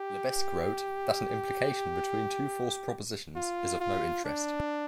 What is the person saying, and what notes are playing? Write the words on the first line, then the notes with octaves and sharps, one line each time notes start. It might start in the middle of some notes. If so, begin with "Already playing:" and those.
Lebesgue wrote that an implication between two false propositions is of no interest.
Already playing: G4
F4
F4
D4